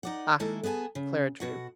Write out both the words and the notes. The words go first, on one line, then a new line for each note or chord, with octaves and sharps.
"Ah!" Clara drooped.
D#4 D5 F#5
D#3 G#3 A#3 E4 A4
B3 G#4 D#5 G#5 A5
C#3
B2 F#4 F#5